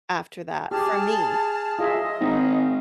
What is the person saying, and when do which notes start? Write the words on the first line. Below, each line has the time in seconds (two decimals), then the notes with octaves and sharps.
after that, for me.
0.71 G4 G#4 A5 F6
1.79 F#3 F4 G#4 D#5 E5
2.21 G#1 C#4 D#4